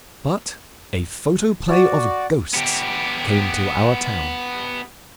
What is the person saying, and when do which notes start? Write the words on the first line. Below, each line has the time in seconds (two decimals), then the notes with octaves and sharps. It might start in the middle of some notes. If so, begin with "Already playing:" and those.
But a photoplay of Ghosts came to our town.
1.69 F#4 D5
2.54 B3 G4